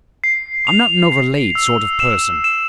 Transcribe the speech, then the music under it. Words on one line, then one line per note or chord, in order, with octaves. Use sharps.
I'm not an overlaid sort of person.
C7
F7
C7
E6
E7
E7